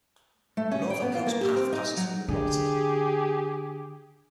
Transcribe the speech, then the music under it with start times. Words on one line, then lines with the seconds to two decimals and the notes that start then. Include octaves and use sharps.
The Norfolk Coast Path passes through the property.
0.57 A3
0.71 C#4
0.90 G5
1.02 B3
1.15 F4
1.26 A#3
1.41 G4
1.56 C4
1.72 D#4
1.97 F#3
2.28 D3 G4 G#4